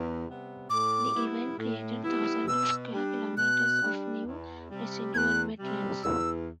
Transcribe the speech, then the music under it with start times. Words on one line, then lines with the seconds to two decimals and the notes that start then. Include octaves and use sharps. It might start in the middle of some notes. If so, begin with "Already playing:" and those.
The event created thousands of square kilometres of new residual wetlands.
Already playing: E2
0.25 C3 G3 B3
0.69 A2 D6
1.14 G3 B3 E4
1.58 A2
2.04 G3 B3 E4
2.48 B2 E6
2.92 G3 D4
3.37 B2 F#6
3.82 G3 D4
4.26 E2
4.71 C3 G3
5.14 E2 F#6 G#6
5.59 C3 G3
6.04 E2 E6